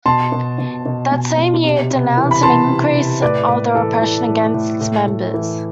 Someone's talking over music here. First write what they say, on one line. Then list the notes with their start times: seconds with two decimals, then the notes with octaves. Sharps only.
That same year it denounced an "increase of the repression against its members".
0.06 B2 A5 C6
0.32 B2
0.59 B2
0.86 B2
1.12 B2
1.38 B2
1.64 C3
1.91 C3
2.17 E3
2.31 B5
2.43 E3 A5 C6
2.70 C3
2.96 C3
3.22 A2 B4 D5
3.48 A2 B4
3.75 E3 A4
4.02 E3
4.28 A2
4.54 A2
4.80 A2
5.07 A2
5.34 E3